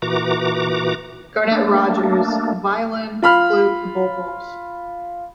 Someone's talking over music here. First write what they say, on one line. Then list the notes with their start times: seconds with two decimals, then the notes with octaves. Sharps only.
Garnet Rogers: violin, flute, vocals.
0.02 A#2 E3 F#4 A#5 D6
1.51 A3 A#3 D4
3.22 F4 B5 F6